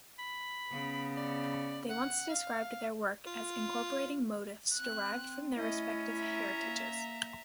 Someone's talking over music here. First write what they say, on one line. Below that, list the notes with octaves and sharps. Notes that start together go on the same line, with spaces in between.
They once described their work as incorporating motifs derived from their respective heritages.
B5
C#3 B3
D5
F#5
F5
F4
C4 F#6
A3 C#4 E4 D#5
E5 A#5
A#3